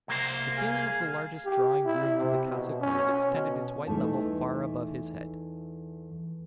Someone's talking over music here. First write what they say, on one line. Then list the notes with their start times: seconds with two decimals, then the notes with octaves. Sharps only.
The ceiling of the largest drawing-room of the Casa Gould extended its white level far above his head.
0.08 C2 A#3 C5
0.57 G#4 F5
1.45 G4
1.85 E4
2.17 C3
2.48 B2
2.80 C#4
3.30 B2
3.87 E2 E3 A3 D#4 A5